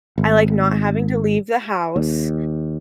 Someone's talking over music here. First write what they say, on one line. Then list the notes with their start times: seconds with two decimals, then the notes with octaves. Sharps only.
I like not having to leave the house,
0.18 G#1
1.96 D#2